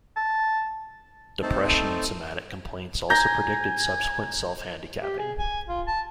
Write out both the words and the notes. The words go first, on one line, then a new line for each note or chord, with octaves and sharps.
Depression and somatic complaints also predicted subsequent self-handicapping.
A5
A3 C4 D#4 A4 C5 A5
G#5 A#5 G6 A#6
G4
G#4
G#5
F4
A5